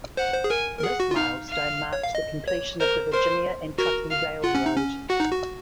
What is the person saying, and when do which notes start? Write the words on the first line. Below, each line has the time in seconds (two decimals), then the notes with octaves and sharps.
This milestone marked the completion of the Virginia and Truckee Railroad.
0.17 C5 F#5
0.34 C5
0.44 G#4
0.50 A#4 G#5
0.79 A#4
0.83 G#4 F#5
1.00 F#4
1.11 F4
1.16 D#4 F5
1.49 F5
1.93 C#5
2.03 F5
2.15 D#5
2.48 C#5
2.80 A#4 C5
3.13 A#4 C5
3.78 F#4 A#4
4.11 F5
4.43 F4 F#5
4.55 C#4
4.66 D#4
4.77 C#4
5.09 F#4 F#5
5.20 D#4
5.32 F#4